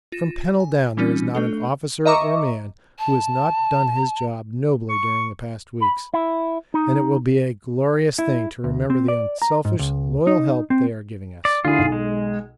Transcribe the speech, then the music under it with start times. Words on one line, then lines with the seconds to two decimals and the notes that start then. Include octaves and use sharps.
From Pennell down there is not an officer or man who has not done his job nobly during the past weeks, and it will be a glorious thing to remember the unselfish loyal help they are giving us.
0.12 F4 A#6 E7
0.60 G#5
0.97 E3 G3 C4 C#4 D#4 F4
1.35 A3 D4 A4
2.05 D#5 E5 A#5 C#6 D6
2.99 A5
4.89 C#6
5.81 B5
6.14 E4
6.74 D#4
8.19 E4
8.64 D2
8.90 C4
9.08 D5
9.42 A#5
9.65 G#2
9.79 C#2
10.27 D#4
10.70 C4
11.45 D5
11.65 D3 E4 F4 G#4
11.79 B1
11.92 G#3